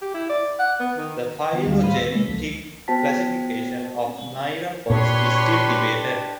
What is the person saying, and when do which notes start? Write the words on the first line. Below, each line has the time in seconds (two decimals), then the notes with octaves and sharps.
The phylogenetic classification of myriapods is still debated.
0.02 G4
0.14 E4
0.29 D5
0.59 F#5
0.80 B3
0.97 D#3
1.53 D#3 B3 D#4 G4
1.66 D2 D3 G3 G#3 F5
1.83 A2 D#3 C5 F5 B5 D#7
1.96 E6 B6
2.12 C3 D#3 G#3 A#3 C#4
2.25 C#2 F3 A#3 A4 B6
2.88 B3 F#4 C5 G5 A5 B6
4.90 A#2 D4 G4 B4 C#5 C6